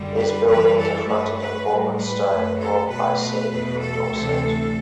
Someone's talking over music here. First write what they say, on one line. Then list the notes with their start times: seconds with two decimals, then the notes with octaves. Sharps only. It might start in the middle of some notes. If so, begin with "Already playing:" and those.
These buildings are fronted in Portland stone brought by sea from Dorset.
Already playing: F#2 D3 G3
0.15 B4
0.45 F#2 E3 G3 B4
0.77 A4
1.06 G2 F#3 A3 B4
1.37 B4
1.67 A2 G3
1.97 B4
2.28 F#2 F#3 A3
2.58 A4
2.89 B2 A3 B4
3.18 B4
3.48 E2 B2 A3
3.80 A4
4.09 D2 C3 E3 A3